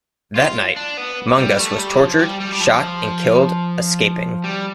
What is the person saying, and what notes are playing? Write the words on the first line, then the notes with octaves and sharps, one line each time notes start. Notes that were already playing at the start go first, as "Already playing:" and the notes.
That night, Mangas was tortured, shot and killed "escaping".
F4
D4
B3
G3
A3
G3
F3
G3
G3
G3
F3
G3